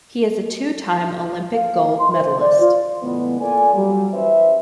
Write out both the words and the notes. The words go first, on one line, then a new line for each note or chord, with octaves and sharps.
He is a two-time Olympic gold medalist.
F5
A#4
C6
C5
D5
F4
A2 C#3 E3 G#3 B3
A#3 F4 A4 D5 G#5
F#3 G3
E3 C#4 B4 C5 E5